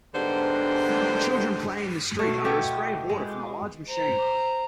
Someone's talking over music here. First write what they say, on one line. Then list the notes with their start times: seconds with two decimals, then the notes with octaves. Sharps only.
Children play in the street under a spray of water from a large machine.
0.15 G#2 D3 G3 B3 D4 C5
2.19 B2 A3
2.44 B3 E4 G4 A4
3.09 G#3
3.88 C5 A#5